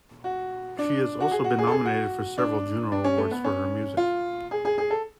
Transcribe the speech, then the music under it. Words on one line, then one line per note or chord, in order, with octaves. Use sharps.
She has also been nominated for several Juno Awards for her music.
F#4
D4
F#4
G#4
F#4
G#4
A4
G#4
F#4
D4
D4
C#4
A3
B3
C#4
F4
G#4
G#4
G#4
A4